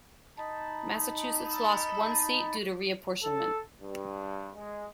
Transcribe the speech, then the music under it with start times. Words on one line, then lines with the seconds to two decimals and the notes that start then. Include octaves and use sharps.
Massachusetts lost one seat due to reapportionment.
0.38 D#4 A5 B5
3.23 A4
3.81 G2
4.55 G#3